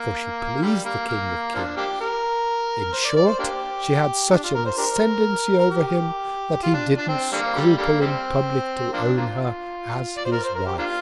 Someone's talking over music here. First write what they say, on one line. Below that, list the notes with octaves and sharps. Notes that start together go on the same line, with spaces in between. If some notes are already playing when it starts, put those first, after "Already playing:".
For she pleas'd the King of Kings: In short, she had such an Ascendancy over him, that he didn't scruple in publick to own her as his Wife.
Already playing: A#3
D3 G3
A#3
A#3
F3 A#3 D4
A#3 D4 G4
A#4
C5
D5
D5
C5
A#3 D4 G4
D4
F4
A#4
C5
D4 G4 A#4
A#4
G4
F4
D4
D4
C4
D3 G3 A#3
D3 G3
D3 G3 A#3
G3 C4
F3 A#3 D4
A#3 D4 F4
D5
C5
A#4
C5
A#4
G4
A#3 D4 F4